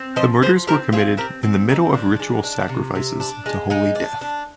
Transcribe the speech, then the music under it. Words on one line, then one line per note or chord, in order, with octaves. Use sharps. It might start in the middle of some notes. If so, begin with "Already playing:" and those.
The murders were committed in the middle of ritual sacrifices to Holy Death.
Already playing: C4
F3 C5 D#5
F3 G#4 C5
C4 G4 A#4
C4 F4 G#4
C4 G4 A#4
C4
C4 D#4
F3 D4
G#3
D4
C3
C3
D4
G#3
G#3 D#4
D4
D4